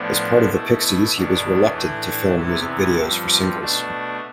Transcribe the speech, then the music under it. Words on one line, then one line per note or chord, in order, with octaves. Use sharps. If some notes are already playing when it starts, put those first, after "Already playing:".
As part of the Pixies, he was reluctant to film music videos for singles.
Already playing: A2 F3 B3 D4
B2 A3 E4
E2 B2 B3 D4
A2 E3 A3 D4
E2 C3 E3 B3 E4
G2 F3 C4
B2 A3 D4